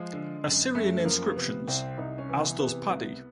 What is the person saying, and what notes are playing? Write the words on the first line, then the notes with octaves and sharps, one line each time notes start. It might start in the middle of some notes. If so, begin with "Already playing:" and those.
Assyrian inscriptions, as does Padi.
Already playing: F3 G#3
D3
F#2
F#2 A3
F3 A#3
C3 B3
C2 C4
C2 D#4
C#4
E3
B3
C3 B3
C2